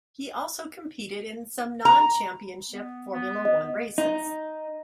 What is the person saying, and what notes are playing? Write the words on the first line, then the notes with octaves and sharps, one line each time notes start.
He also competed in some non-Championship Formula One races.
A#5
B3
B3
D#5
D#4